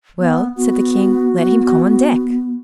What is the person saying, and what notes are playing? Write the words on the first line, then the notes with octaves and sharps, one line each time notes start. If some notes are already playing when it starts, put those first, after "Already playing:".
"Well," said the King, "let him come on deck."
B3
B3 F#4
B3